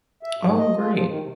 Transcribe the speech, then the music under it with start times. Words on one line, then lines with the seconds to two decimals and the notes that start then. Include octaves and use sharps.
Oh, great.
0.23 E5
0.40 G#2
0.58 D#5
0.76 F4
0.93 F3
1.05 D#3
1.20 C3